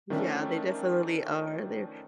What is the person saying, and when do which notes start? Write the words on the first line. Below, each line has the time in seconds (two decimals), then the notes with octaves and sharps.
Yeah, they definitely are, they're
0.10 D#3 F3 A3 C#4 D4